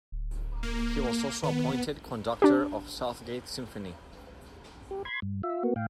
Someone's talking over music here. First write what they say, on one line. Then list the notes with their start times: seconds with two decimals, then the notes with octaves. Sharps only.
He was also appointed conductor of Southgate Symphony.
0.12 D1
0.63 A#3
1.43 D#3 B3
2.42 D4 G4
4.91 G4
5.05 B5 C6 G#6
5.22 G2
5.43 F4 E5
5.63 A#3 B3 F#4
5.76 A2 F5 G5